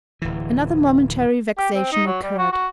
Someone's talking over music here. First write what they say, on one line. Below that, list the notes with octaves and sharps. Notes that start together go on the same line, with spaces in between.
Another momentary vexation occurred.
D1 E3
G4
C4
D#4
F#3
G3
F#4
F#4